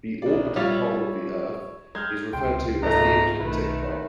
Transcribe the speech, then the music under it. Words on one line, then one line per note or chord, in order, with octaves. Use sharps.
The orbital pole of the earth is referred to as the Ecliptic pole.
A#1 D5
G3 F4 C#5 E5
G#3 F6 G6 G#6
C#2 C3 G5 C6
F2 G#2 A3 F4 A#5
B1 D#3 A3 E4 B4